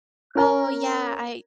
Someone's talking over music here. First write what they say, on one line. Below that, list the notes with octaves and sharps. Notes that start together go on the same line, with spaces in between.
Oh, yeah, I
C#4 A#4 A#5